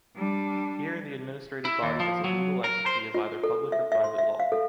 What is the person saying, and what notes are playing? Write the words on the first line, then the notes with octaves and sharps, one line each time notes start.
Here the administrative body is a legal entity of either public or private law.
G3 D4
E4
D#2
F3
F#3
A#4
C5
F4
A4
E5
E5
C6
E5
F5
A4